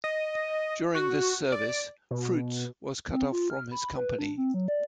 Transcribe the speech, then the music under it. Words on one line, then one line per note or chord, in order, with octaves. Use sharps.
During this service, Fruits was cut off from his company.
D#5
F#4
D5
B2
C4
F4
F6
B5
B4
D4
C4
F#3
D5